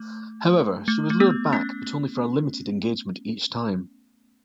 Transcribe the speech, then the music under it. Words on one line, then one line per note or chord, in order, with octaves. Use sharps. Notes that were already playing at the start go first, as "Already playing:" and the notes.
However, she was lured back, but only for a limited engagement each time.
Already playing: A3
A3
A3
B3
C#4